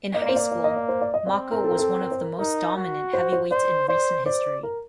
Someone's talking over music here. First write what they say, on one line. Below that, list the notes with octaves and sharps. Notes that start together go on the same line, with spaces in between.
In high school, Mocco was one of the most dominant heavyweights in recent history.
A#3 D#5
D5
C5
D5
D5
D#5
D5
C5
D5
D#5
C4 D5
A#4
A4
A#4
A4
A#4
C5
A#4
D#4 A#4
F#4
C5
C5
C5 D5
C5 D5
C5 D5
A#4